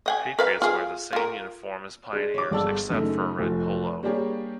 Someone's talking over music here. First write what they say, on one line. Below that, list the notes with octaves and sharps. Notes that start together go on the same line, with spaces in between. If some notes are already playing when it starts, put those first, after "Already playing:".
Patriots wear the same uniform as Pioneers, except for a red polo.
D#5 F#5 G#5
A#4 B4 F5
F4 G#4 F5
F4 A#4
G#3 D4
C#5 D6
G1 G#3 D5 A5 E6
F#2 C#3 A3 D#4
F1 F3
G3 A#3 D4 G4 G#4 C#5